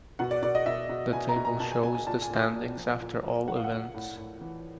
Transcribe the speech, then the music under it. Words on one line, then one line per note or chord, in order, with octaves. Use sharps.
The table shows the standings after all events.
B2 F#5
D5
B2 D5
D#5
B2 E5
B2
B2 G#5
A#5
B2
A#5
B2 A5
G#5
B2 G#5
G#5
A#2 A5
G#5
A#2
G#5
A#2
F3
A#2
A#2
A#2 F#5
F5
F#5
A#2
A2
A2
E3